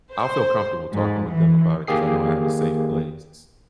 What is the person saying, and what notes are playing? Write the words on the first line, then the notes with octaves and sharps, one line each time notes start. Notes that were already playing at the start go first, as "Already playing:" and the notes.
I'll feel comfortable talking with them about it 'cause I know I have a safe place.
C5
G#2
E3
D#3 A#3 G4 G#4 C7